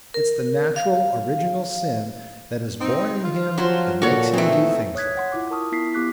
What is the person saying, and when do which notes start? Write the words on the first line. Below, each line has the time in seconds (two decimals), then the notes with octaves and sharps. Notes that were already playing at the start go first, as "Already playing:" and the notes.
It's the natural, original sin that is born in him that makes him do things like that.
0.14 A#4
0.76 F5
2.80 C4 D#4
3.23 F4
3.58 F3 F#3 C5
4.02 A#2 F#4 A4 C#5
4.33 E3 A3 C4 D#4
4.95 C#5 D#6 F#6 G#6 B6
5.17 F#5 C6
5.32 E4 F4 D6
5.51 A#4 A5 C#6 D#6 F6
5.72 B3 E4 B6 C7
5.94 B3 G4 D6 F#6 B6